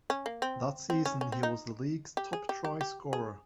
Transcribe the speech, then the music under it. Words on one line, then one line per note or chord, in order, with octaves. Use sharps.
That season he was the League's top try-scorer.
C#4
A#3
C4
C4
C#4
C#4
C4
D#4
G4
G#4
G4
G4
G4
G#4